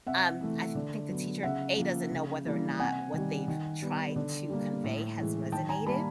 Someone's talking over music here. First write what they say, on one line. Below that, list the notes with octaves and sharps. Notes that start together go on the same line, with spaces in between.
um, I think the teacher, A, doesn't know whether or not what they've tried to convey has resonated,
C3 E5 F#5
E3 A3
D3
F#3 B3
C#3 E5 F#5
F3 A#3
C#3
E3 G3 A#3
C3 F#5 G#5
D#3 G3
D#3
G3 B3
D3
G3 A#3
A2
E3 G#3
D#3 G5 A5
G#5 A#5
G3 A#3 A5 B5